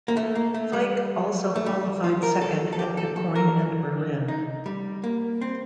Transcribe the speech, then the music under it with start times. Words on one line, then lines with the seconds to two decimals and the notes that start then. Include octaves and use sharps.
Fike also qualified second at DuQuoin and Berlin.
0.08 A#3
0.17 A3
0.35 A#3
0.54 A3
0.73 G3
1.56 A3
1.66 G3
2.04 F4
2.23 A#4
2.41 A4
2.73 A4
2.79 G4
2.97 A4
3.16 A4
3.35 A#4
4.28 D#4
4.66 G3
5.04 A#3
5.41 C4